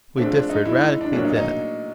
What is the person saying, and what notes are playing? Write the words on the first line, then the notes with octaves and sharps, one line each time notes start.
We differed radically then.
G#2 F3 A3 C4 D4
D4
D#4
E4
D#4
D4
A#2 F#3 A3 C#4 D4
D#4
D#4